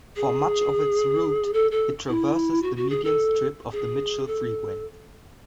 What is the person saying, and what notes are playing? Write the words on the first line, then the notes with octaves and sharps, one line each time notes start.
For much of its route, it traverses the median strip of the Mitchell Freeway.
G#4
A4
A4
E4
F#4
F#4
G#4
A4
G#4
A4